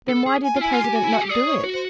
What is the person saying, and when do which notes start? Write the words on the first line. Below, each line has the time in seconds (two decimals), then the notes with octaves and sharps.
"Then why did the president not do it?"
0.09 A4
0.26 G#4
0.44 G#5
0.56 F4
0.61 E4 G#5
0.72 F4
0.84 G4
0.95 F#4
1.04 E4
1.13 F#4
1.21 G4
1.29 G#4 D5
1.47 C#5
1.64 F#4
1.73 C5